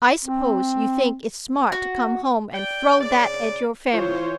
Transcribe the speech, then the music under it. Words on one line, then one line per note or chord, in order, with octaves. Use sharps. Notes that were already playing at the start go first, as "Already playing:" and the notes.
"I suppose you think it's smart to come home and throw that at your family!"
C4
F#4
D5 G5
C#3 D5
E3 F4 C5 C#5